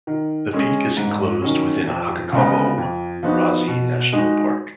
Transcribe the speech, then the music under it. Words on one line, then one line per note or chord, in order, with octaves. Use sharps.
The peak is enclosed within Hkakabo Razi National Park.
D#3
G#3 C#4 G#4
G#2
D#3 F#3 C#4
F2
C#3 G#3 B3
F2
F3 B3 D#4 F#4
B2
G#3 D#4 F#4